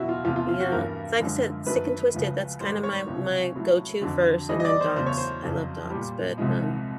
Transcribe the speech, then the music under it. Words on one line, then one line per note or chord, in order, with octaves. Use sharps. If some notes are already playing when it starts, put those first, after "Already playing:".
Yeah. It's like I said, Sick and Twisted, that's kinda my my go to first, and then docs. I love docs, but, um,
Already playing: E2 B2 F#3 E4 F#4
F4
E2 C3 F3 A3 F4
F4
F4
F#4
G2 E3 A3 A#4
F#2 D3 F3 G#3
F#2 D#3 F#3 A3 B4
C#2 C#3 F3 A3
G#2 D#3 G3 C5
C#5
C#2 C3 F3
A2 F#3 A3
F2 D3 F#3
A2 E3 G3 D#5
D#5
D5
C5
E2 C#3 F#3 A3 C5
C#5
C5
F2 C#3 F#3
G3
A#2
C2 C3 F3 G#3